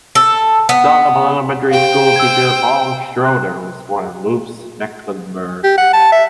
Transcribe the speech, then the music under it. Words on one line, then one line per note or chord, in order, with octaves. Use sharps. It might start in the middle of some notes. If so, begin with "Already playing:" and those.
Son of an elementary school teacher, Paul Schröder was born in Lübz, Mecklenburg.
A4
B3
G4 C5 F5 G5
E6 G#6
F#6
G4
F#5
A5
E5